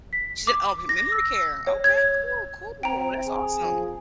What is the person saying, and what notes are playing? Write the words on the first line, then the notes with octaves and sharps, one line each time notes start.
She's in oh, me memory care, okay, cool, cool, that's awesome.
B6
D6
A#6
E6
C#5
G#6
C4 G5 A#5
G#4
F3